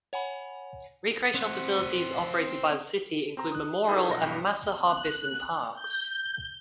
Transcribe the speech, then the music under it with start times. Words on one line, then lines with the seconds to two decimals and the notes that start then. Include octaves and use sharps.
Recreational facilities operated by the city include Memorial and Masa Harbison parks.
0.13 C#5 F#5 G#5 B5
1.34 C4 F#5
3.37 C4 A#5
3.52 D#6 F#6
3.87 D#4 E4 G#4 A4 B4
4.09 B1 F3 A#6
4.21 B1 G2
4.84 F#6
5.74 G6